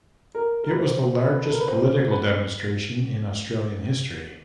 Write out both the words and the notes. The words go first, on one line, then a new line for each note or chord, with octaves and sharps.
It was the largest political demonstration in Australian history.
A#4
A#4
B4
C5
B4
A4
A#4
B4
C5
B4